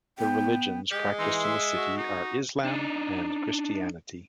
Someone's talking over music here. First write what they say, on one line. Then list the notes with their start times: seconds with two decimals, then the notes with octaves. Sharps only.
The religions practiced in the city are Islam and Christianity.
0.18 B3 G5
0.91 G#3 G4
1.19 E3 D#4 C6 E6
1.44 E5
1.76 F#4
1.98 D#4
2.65 D4 D#4